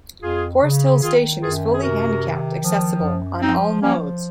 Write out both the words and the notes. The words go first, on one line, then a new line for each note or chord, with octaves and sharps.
Forest Hills station is fully handicapped accessible on all modes.
F2 F4 G#4
C#3
D#3 F4 G#4
F#2 F4 G#4
G#4
C3 F#4 A#4
D#3
F3
F#2
F3 C4 D#4
F3 A#3 C#4